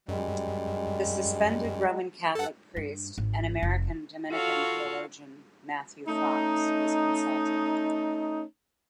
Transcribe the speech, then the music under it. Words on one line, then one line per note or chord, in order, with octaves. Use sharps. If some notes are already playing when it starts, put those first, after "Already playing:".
The suspended Roman Catholic priest and American Dominican theologian Matthew Fox was consulted.
F#2 G3 G#3
G2 A4 F#5
G2
G#1
F1
F4 F#4 A4 C#5 F5
A3 C#4 D#4